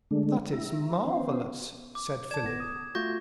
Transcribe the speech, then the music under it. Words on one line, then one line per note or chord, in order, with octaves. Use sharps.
"That is marvelous!" said Philip.
D3 G#3 A3 D4
E4 E5 A#5
B3 C#4 C5
D6
D5 A5 G#6 E7
G1 B3 A#6
D#6
A3 F4 F#4 C#6 G6 A#6